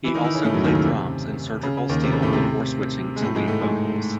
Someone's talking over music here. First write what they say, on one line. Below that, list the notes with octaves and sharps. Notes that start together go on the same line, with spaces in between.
He also played drums in Surgical Steel before switching to lead vocals.
E3 E4
D#3 D#4
E3 E4
C#3 C#4
A2 A3
F#2 F#3
D#2 D#3
C#3
C3
C#3
C#3
D#2 D#3
C3
C#3
A2 A3
C3 C4
G#3
A2 A3
G#2 G#3
A2 A3
G#2 G#3